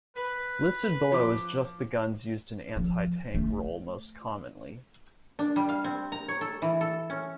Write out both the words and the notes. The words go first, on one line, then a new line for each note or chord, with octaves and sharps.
Listed below is just the guns used in anti-tank role most commonly.
B4
F3 D6
F3
A3
D4
G3
F5
C4
A#5
C#5
A4
E3
A4
C#4